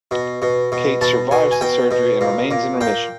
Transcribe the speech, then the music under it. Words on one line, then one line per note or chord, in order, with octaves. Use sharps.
Kate survives the surgery and remains in remission.
B2
B2
B2
B2 A5
B2 G#5
G#5
B2 G5
B2
A#2
A#2
A#2 G5